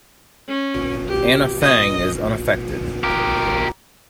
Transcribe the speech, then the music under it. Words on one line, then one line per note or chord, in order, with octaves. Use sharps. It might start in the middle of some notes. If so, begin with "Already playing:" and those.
Anna Fang is unaffected.
C#4
G4
D#5
G4 A#4